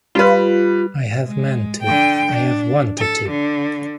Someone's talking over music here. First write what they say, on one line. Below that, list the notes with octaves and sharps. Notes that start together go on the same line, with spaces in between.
I have meant to, I have wanted to.
G3 F4 B4
G#3
D3 G5
D4
A4
D3